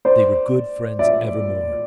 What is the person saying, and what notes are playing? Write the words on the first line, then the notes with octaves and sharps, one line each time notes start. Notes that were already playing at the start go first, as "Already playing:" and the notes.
They were good friends evermore.
C5 D5
D5 E5